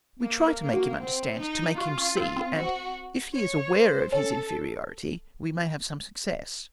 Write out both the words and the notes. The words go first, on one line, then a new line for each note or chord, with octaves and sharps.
We try to make him understand, to make him see, and if he is aware of his inferiority we may have some success.
A#3
A#4
A#3
F#4
C4
D#4
F4 F#4
C#4
C4
C4
C4 F#4
C#5
C5
C#4 A4